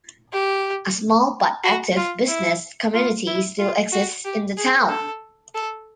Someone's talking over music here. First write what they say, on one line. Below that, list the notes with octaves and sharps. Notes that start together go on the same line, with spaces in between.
A small but active business community still exists in the town.
G4
F#4
F4
E4
F4
E4
F4
F#4
G4
G#4
A4
A4